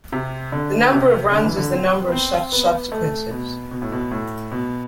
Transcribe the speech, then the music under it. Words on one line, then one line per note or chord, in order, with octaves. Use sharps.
The number of runs is the number of such sub-sequences.
C3
D3
C3
D3
E3
D3
C4
B3
C4
B3
A3
B2
B2
A2
B2
A2
B2